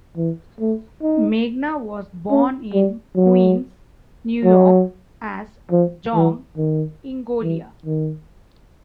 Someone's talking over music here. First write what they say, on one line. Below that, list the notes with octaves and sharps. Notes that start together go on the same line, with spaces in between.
Megna was born in Queens, New York, as John Ingolia.
E3
A3
D#4
C#4
G3
F#3
F#3
F3
E3
D#3
E3
D#3